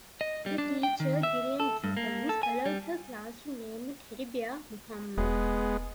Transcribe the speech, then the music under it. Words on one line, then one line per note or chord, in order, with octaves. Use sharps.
The teacher, Gillian Gibbons, allowed her class to name a teddy bear Muhammad.
D#5
G3
D4
G5
D#3
E5
A4
G2
A#3
A4
G#5
G3
E1 G#3 B3